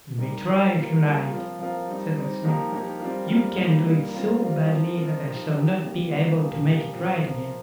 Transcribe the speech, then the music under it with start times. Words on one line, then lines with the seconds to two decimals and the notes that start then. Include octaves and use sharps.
'You may try, if you like', said the Smith; 'you can't do it so badly that I shall not be able to make it right again.'
0.18 G3 D#4 G4 A#4
0.46 G3 D#4 G4 A#4
0.74 G3 A#3 F4 A#4
1.03 G3 A#3 F4 A#4
1.30 F3 C4 F4 A#4
1.59 F3 C4 F4 A#4
1.87 G3 C4 D#4
2.15 G3 C4 D#4
2.44 F3 A#3 D#4 G4 A#4
2.71 F3 A#3 D#4 G4 A#4
2.99 G3 C4 F4 A#4
3.28 G3 C4 F4 A#4
3.56 G3 A#3 D#4
3.84 G3 A#3 D#4
4.13 G3 C4 F4 A#4
4.41 G3 C4 F4 A#4
4.69 F3 C4 F4 A#4
4.97 F3 C4 F4 A#4
5.25 F3 D#4 G4 A#4
5.53 F3 D#4 G4 A#4
5.81 C3 G3 A#3 G4 A#4
6.10 C3 G3 A#3 G4 A#4
6.38 A#2 F3 A#3 G4 A#4
6.66 A#2 F3 A#3 G4 A#4
6.94 F3 C4 F4 A#4
7.22 F3 C4 F4 A#4